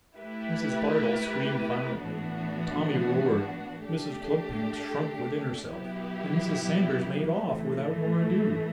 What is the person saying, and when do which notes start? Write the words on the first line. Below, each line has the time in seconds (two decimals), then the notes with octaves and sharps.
Mrs. Bardell screamed violently; Tommy roared; Mrs. Cluppins shrunk within herself; and Mrs. Sanders made off, without more ado.
0.17 A3 E4 G4 B4
2.00 A2 E3 B3 D4 F#4
3.83 A3 D4 G4
5.67 B2 F#3 B3 E4 G4
7.51 A2 E3 A3